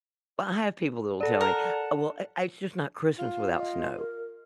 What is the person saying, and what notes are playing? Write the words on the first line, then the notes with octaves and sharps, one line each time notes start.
Well, I have people that will tell me, "Oh, well, I it's just not Christmas without snow,
A4 D5 F#5 A5
A#4
F4
D#5
A#4